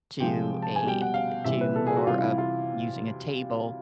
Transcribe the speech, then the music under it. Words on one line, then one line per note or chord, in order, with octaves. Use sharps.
to a, eh, to more of using a table
C3 F3 G#3 G5
A5
G#5
B2 G3 G5
F#5
F5
C3 E3 G3 E5
B4
A4
G#4
F#4
C3 E3 G3 F4
F4
E4
F4